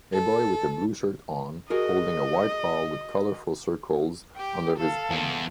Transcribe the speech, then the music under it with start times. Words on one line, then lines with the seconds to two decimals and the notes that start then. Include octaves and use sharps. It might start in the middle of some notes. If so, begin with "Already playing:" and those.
A boy with a blue shirt on holding a white ball with colorful circles under his arm.
0.13 A4
1.70 F#4 G#4 A#4 D#5
4.35 G4 G5
4.76 A4 F5
5.10 E2